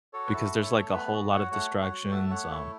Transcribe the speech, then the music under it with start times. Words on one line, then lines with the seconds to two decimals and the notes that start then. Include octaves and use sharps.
because there's, like, a whole lot of distractions, um,
0.13 F#4 A4 C#5
0.27 B4
0.34 E4 A4
0.53 A3
0.63 A4 C#5
0.73 A3
0.93 B3 B4
1.13 F#4
1.32 F#4 C#5 F#5
1.51 A3 C#5 F#5
1.71 F#4
1.81 C#5 F#5
1.92 F#4
2.11 A3 E5 A5
2.30 A3 C#5 F#5
2.51 E4 A4 C#5